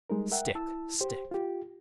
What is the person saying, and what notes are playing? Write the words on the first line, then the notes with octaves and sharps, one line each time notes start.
'Stick, stick!
G3 G#3 D#4 A#4
A#4 E5 F#5 G5
E4 A5 E6
G4 C5
F4 G4